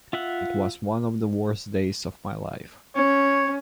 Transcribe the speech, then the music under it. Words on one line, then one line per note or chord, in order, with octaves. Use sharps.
It was one of the worst days of my life.
F4 E5 F#5
C#4 C#5